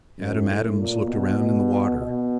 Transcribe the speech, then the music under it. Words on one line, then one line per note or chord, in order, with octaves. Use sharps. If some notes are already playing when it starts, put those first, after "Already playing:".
Adam Adams looked around in the water.
F#2
A2
A#2
B2
B2
B2